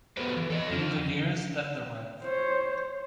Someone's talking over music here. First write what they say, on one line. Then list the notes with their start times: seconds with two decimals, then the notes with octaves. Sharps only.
In the years that the Rev.
0.17 B3 F#4 G4 A4 B4 C5
0.37 E3
0.50 A4 D5 D#5
0.69 F2 F3
2.22 C5 C#5